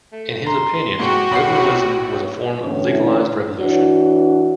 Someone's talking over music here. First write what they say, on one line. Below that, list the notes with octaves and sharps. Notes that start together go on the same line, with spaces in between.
In his opinion, liberalism was a form of legalized revolution.
A3
A#5 C6
G#2 F#4 G4
B1 F#5 B5 C7
A2 D3 E3 C#4
E3 D4 F#4 C#5